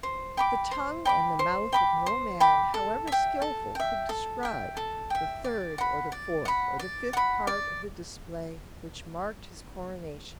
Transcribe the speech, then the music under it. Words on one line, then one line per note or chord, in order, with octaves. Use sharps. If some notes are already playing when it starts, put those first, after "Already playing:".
The tongue and the mouth of no man, however skilful, could describe the third, or the fourth, or the fifth part of the display which marked his coronation.
C5
G5 B5 D6
C5
G5 B5 D6
C5
G5 B5 D6
C5
G5 B5 D6
A4
E5 G5
A4
E5 G5
A4
E5 G5
A4
E5 G5
D5
F#5 B5
D5
F#5 B5
D5
F#5 B5
D5